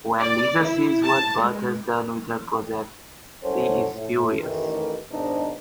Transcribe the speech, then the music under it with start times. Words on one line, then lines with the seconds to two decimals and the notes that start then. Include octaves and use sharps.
When Lisa sees what Bart has done with her project, she is furious.
0.19 D5
0.62 E4
1.04 A5
1.42 G#3
3.43 C2 F#2 C#4 F#4 A4 C5
3.94 A2
4.42 A1 D#3 E3
5.12 G#1 G#2 B2 G#3 D4 D#4